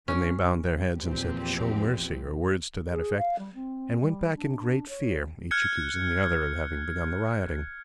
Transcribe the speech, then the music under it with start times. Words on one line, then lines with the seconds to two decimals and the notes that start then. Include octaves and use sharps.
Then they bowed their heads and said: "Show mercy!" or words to that effect, and went back in great fear; each accusing the other of having begun the rioting.
0.08 C#4
1.00 E2 A#2 F3 C4 G4 B4
2.91 G#4
3.17 F5
3.38 G3
3.54 C4
4.01 G3
4.36 D4
4.89 C#5
5.51 F6 F#6 G#6 C#7